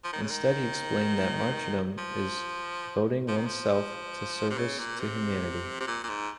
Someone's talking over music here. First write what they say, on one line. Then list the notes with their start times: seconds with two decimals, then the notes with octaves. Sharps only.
Instead, he explained that martyrdom is devoting oneself to service to humanity.
0.04 F3
0.13 D#3
0.21 C#3
0.30 D#3
1.98 F3
3.28 F3
3.37 D#3
3.46 F3
4.51 C3
4.58 C#3
4.78 A#2
5.00 C3
5.80 C3
5.88 A#2
6.04 A#2
6.09 G#2